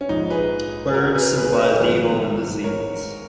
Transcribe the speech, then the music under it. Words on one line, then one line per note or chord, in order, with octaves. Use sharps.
Birds symbolized evil and disease.
C#4
A#1 G#2 F3 D#4
G#4 B4
G#4
F#4 A#4
G#4 B4
G#4 B4
C#5
B4 D#5
G#1 G#2 F3 G#4 B4
A#4 C#5